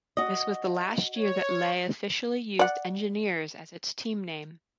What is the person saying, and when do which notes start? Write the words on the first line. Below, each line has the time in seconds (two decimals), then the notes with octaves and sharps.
This was the last year that Lehigh officially used "Engineers" as its team name.
0.17 F#4 D#5
1.17 C#5
2.59 D5 F#5